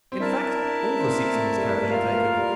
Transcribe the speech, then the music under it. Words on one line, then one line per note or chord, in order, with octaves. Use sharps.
"In fact, all the seats in this carriage are taken."
C4
D4 E4 A#4 E5 A5
D4
C4
A#3
A3
G3
A3
A3
A#3 F4 A#4 F5
A3
A#3
G3